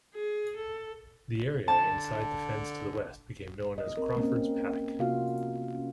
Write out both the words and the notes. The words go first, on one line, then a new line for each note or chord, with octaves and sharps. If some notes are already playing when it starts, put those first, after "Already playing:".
The area inside the fence to the west became known as "Crawford's Paddock".
G#4
A4
D3 A5
D#5
C4 A#4
A#3 C4 C#4
C3 A#3 B3 F4 F#4 F5
C#4